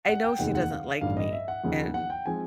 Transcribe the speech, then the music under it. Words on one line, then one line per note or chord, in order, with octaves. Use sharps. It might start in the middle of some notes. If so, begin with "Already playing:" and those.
I know she doesn't like me, and
F#5
G5
F1 D#2 D#3 G#3 F#5
F#5
F5
A1 G2 D3 F5
D#5
E5
F#5
D#2 C#3 F3 A#3
F#5
G5
F3 G#3 C4 G#5